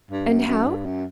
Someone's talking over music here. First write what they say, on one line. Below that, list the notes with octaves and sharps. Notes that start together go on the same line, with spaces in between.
And how?
G2
F#2
F#2
G2
F#2